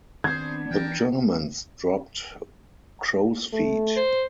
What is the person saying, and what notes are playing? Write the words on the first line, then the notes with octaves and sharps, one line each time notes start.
The Germans dropped "crowsfeet".
D#3 B3 C4 D4 G#4 C5 G#6
E3 A#4 G5 A5
A3
C5